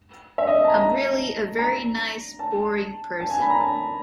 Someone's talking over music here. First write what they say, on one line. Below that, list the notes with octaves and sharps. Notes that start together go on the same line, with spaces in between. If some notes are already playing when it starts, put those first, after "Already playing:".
I'm really a very nice, boring person.
E5
D#5
A5
A#5
A#5
A#5
A5
A5
G#5
B5
A#5
A5